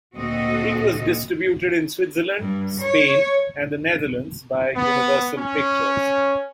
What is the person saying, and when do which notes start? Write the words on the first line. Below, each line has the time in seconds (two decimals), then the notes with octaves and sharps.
It was distributed in Switzerland, Spain, and the Netherlands by Universal Pictures.
0.14 D2 A#2 C4 F#4 A4 D#5
2.38 G2
2.80 C#5
4.76 B3
5.37 C#4